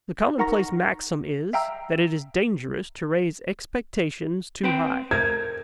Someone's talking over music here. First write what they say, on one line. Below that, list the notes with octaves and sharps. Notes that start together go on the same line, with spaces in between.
The commonplace maxim is, that it is dangerous to raise expectations too high.
D#4 A#4 F#5 A#5 C#6 A#6
E5 F5 G5 A#5 E6
C4 B4 G5
A#4 C5 G#6